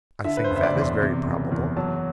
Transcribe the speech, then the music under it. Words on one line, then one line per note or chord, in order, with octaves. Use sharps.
"I think that is very probable."
D3 E5
B4
C5
F#1
E5
D5
E2
C6
C3
F#1
E2
F#3 A5